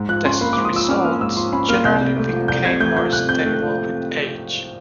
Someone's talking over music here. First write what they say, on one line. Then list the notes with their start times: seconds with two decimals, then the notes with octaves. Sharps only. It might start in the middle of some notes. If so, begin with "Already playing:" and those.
Test results generally became more stable with age.
Already playing: G#2
0.09 F3 F#6
0.25 C#4 C6
0.41 A#3 B5
0.53 D6
0.57 G#2
0.65 D#6
0.73 F3 E6
0.88 C#4 F6
1.04 A#3 F6
1.21 G#2 E6
1.37 F3 C6
1.53 C#4 B5
1.69 A#3 F6
1.85 C2 G6
2.01 C3
2.17 A3
2.33 F3
2.48 C2 G6
2.65 C3 G#6
2.80 A3 G6
2.96 F3 G6
3.13 C2 F#6
3.29 C3 G6
3.45 A3
3.61 F3